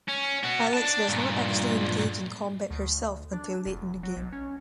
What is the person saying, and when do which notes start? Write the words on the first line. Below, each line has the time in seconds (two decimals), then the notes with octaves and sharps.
Alex does not actually engage in combat herself until late in the game.
0.09 C#4
0.44 B3 F#4
0.74 D5 A5
1.09 G2 A#2
2.70 D2
3.33 D4
3.66 F1
4.03 F#3
4.17 B1
4.32 C#4